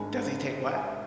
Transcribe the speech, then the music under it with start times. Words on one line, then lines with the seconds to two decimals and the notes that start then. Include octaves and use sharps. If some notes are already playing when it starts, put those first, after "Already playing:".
Does he take what?
Already playing: G#1 G#2 G#3 D4 G#5 B5
0.76 E5 G#5